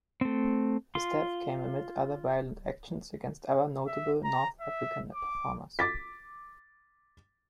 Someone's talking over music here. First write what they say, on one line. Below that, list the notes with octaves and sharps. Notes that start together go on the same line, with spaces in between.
His death came amid other violent actions against notable North African performers.
A3 C4
F4 C6
E5
A#5
E5
D6
D6 A6 B6